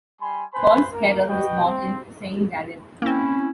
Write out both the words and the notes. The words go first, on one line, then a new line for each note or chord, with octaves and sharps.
Paul Scherrer was born in St.Gallen.
G3 G#5 B5 C6
B4 C5 G#5 B5 C6
A#3 A#4
F#4 B4 D#5 G5
C4
A#3 C4 C#4 E4